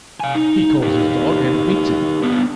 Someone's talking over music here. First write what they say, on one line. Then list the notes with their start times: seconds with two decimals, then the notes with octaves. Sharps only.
He calls his dog and beats it.
0.20 F5 G#5
0.35 D#4
0.82 D#4 G4
2.22 D3 B3